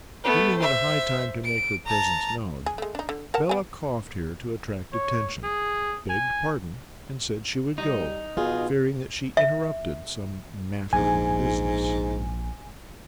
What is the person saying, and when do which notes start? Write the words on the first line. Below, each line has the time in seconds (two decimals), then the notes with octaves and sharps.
Deeming it high time to make her presence known, Bella coughed here to attract attention, begged pardon, and said she would go, fearing that she interrupted some matter of business.
0.24 A3 B3
0.58 C5 E5
1.45 D7
1.86 A5 A#5
2.66 G#4
2.78 G#3 A3
2.95 D4 D#4
3.09 D3
3.34 A#4 F#5 A5
3.49 B3 G#5
4.93 C#5
5.43 G#4
6.09 G#5
7.78 G3 D#4
8.37 B2 F4 G#4
9.37 E5
10.93 A#1 G#2 G#5